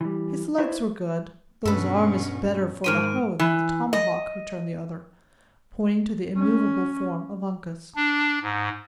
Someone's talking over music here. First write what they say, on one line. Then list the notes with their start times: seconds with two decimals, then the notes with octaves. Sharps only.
"His legs were good, though his arm is better for the hoe than the tomahawk," returned the other, pointing to the immovable form of Uncas.
0.01 E3 G3
0.58 E4 F#4 B4 C5 D5
1.65 G2 B2 C#4 A4 B4
2.84 G#2 D#3 G#3 C6 F6 D7 D#7
3.40 E3
3.93 D#5
6.37 C#4
7.96 D4
8.42 G#2